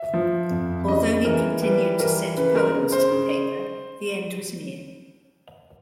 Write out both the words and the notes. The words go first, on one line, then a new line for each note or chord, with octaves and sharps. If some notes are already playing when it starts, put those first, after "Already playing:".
Although he continued to send poems to the paper, the end was near.
Already playing: E5
F3
F2
C#3 D#5
E3 A#4
G3 B4
E3 A#4
C#3 B4
A#4
C#3
C5
C#3